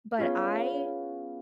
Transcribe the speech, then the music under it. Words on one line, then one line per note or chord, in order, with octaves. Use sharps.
but I
B3 C#4 F4 G#4 B5